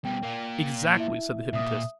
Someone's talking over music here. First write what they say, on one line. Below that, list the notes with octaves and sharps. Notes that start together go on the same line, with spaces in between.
"Exactly," said the hypnotist.
B2 G3 G5
A#3 F4
E4 E5
A#2 E5 D#6